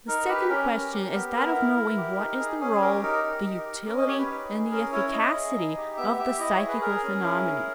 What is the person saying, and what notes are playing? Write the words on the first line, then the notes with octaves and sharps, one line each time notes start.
The second question is that of knowing what is the role, the utility, and the efficacity of the psychical phenomenon.
D#4 A#4
G4 B4
C#4 A#4
G4
G4
B3
B3 A#4
E4
E4
G4
D#4
G#4
C#4 G#4
G#4
G4 A#4
D#4 A#4
G4
D#4
G4
C#4 A#4
D#5
G4 C#5
B4
D#4
G#4
C#4 A#4
E4 C#5
E4 D#5
G#4
D#4
G4
B3 E5
G4 E5
E4 D#5
C#5
G#4
B4
G#4 A#4
C#4
E4
G#4